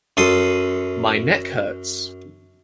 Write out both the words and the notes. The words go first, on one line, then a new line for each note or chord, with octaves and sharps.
My neck hurts.
F#2 A4 C6 D#6